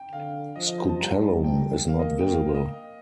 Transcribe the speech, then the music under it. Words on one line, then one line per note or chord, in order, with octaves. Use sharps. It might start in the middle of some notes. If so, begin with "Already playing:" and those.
Scutellum is not visible.
Already playing: G5
D3 F5
F3 D#5
D#5
C5
A5
G3 A#5
A5
G5
A#3 F5
D#5
G5
F5
D#5